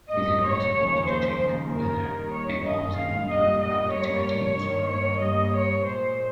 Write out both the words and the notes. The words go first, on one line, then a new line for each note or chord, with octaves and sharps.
Is it possible to detect whether a bomb is a non-dud without detonating it?
G#2 G3 A#3 D#5
C#5
D#2 C#3 F3 A#3
C5
D#2 C#3 G#3
A#4
D#2 D#3 G3
C#5
D#2 D#3 G#3 D#5
F5
A#2 G3 A#3 D#5
D#5
G2 G3 A#3 C#5
G2 D#3 A#3
C#5
G2 G3 A#3 D#5
C#5
A#2 G#3 C5